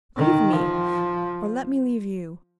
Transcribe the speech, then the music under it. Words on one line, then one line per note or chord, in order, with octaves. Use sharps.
Leave me! or let me leave you.
D#3
F3